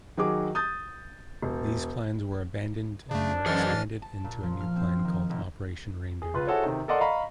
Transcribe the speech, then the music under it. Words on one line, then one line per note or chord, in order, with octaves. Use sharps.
These plans were abandoned and were expanded into a new plan called Operation Reindeer.
D#3 F#3 G#4 D6
D#6 G6 A6
E1
C#3 A3 D4
F#2 E3 G#4 C5 D#5 F6 A6
A5
A#2
F3
F6
C4
D#3
F1
G#4
C#2 F4 B4
E4 F#4 G#4 A4 C5 C#5
C3 D#3
A4 A#4 D5 D#5 F#5 C6
D#5 F5 A#5 B5 C#6